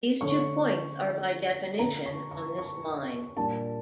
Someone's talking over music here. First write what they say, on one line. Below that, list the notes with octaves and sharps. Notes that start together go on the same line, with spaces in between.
These two points are by definition on this line.
D3 A3 C#4 C#6
D3 A3 C#4 F4 A#5
C#6
C#6
C#6
A#2 G3 D4 F4 A5